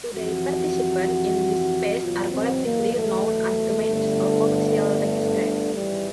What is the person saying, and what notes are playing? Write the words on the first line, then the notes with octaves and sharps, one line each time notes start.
Today participants in this space are collectively known as domainers or 'commercial registrants'.
F2 C3 E3 F#4
F#1 E2 B2 F#3 F4
C4
A#3
A3
G1 G2 D3
G#1 G#2 E3 G3